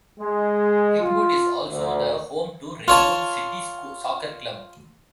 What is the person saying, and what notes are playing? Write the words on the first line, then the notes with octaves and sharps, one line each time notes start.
Ringwood is also the home to Ringwood City Soccer Club.
G#3
F4
D2
F4 C#5 A5